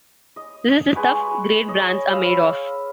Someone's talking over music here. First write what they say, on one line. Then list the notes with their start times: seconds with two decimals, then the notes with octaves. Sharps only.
This is the stuff great brands are made of.
0.36 D#5
0.95 G#3 B4 G#5 C#6
1.68 C#5 D#5
2.12 F5 B5 E6